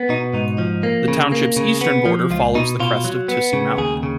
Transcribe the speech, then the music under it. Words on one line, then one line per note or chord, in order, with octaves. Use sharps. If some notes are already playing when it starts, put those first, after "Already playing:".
The township's eastern border follows the crest of Tussey Mountain.
Already playing: B3
B2 D#4
G#2 D#4
F3
A#3
C#3
A#3
C#3
B3
F3
C#2 F4
B2 D#4
B2 F4
F#3
B3
C#3
D#2 G#4
C#3